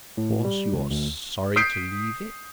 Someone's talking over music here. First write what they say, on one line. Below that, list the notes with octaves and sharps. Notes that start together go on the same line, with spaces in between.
"Because you are sorry to leave it?"
A2
G3
C#2
D2
D#6 G6 B6 C7 D7